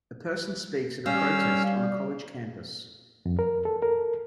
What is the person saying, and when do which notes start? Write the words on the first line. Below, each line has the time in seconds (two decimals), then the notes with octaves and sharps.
A person speaks at a protest on a college campus.
1.06 G3 C#4 F5 E6
3.26 F2
3.39 A#4
3.65 A4
3.82 A#4